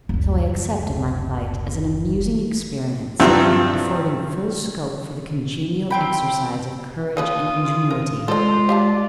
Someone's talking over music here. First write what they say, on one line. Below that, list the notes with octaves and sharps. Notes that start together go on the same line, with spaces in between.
So I accepted my plight as an amusing experience, affording full scope for the congenial exercise of courage and ingenuity.
F#1 D2
G2 F3 F#3 C4 E4
C4 G5 B5
A#3 C#4 F4 B4 D#6
A#4
G#3 F4 A4 C5 D5
G4 D5 F5 A5